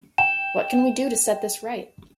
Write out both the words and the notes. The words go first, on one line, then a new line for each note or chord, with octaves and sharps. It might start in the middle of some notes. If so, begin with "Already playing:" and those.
What can we do to set this right?
G5 E7